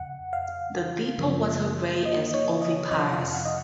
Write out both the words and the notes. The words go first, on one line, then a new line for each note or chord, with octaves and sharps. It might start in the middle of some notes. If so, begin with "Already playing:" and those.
The deepwater ray is oviparous.
Already playing: F2 C#3 F#5
F5
F#2 C#3 F3 A#3
D#5
C#5
D#5
F2 C3 F3 D#5
F5
F#5
D#5